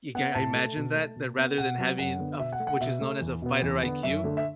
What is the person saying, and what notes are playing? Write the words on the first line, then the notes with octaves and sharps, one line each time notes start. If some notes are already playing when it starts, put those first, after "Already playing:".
You can't imagine that that rather than having a f which is known as a fighter IQ,
B3 F#5
A2 A5
A3
B2
A3
B2
B3
B2 F#5
F#3 B3
F#2 F#5
D3 B3
B2 E5
F#5
A3
F#5
B2 E5
A3
E2
B2 B3
E2
D3 B3
F#2 E5
D3 A3
E5